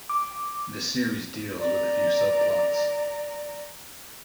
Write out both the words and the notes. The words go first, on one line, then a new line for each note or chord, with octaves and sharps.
The series deals with a few subplots.
D6
D5 A#5